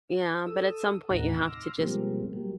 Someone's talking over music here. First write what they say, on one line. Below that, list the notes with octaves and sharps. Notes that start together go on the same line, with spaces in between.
Yeah, but at some point, you have to just
A4 D#6 E6
D#2 A2 C3 D#4 F#5 A#5
C6 D6 E6 F6 A#6
B2 F3 G3 G#3 A#3 C4
F#3 G3 A#3